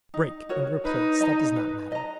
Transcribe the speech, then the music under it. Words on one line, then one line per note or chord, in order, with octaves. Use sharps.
Break and replace; that does not matter.
D#4
F#4 A#4 C#5
D#4 B4
D#5 A#5
B4
D#5 A#5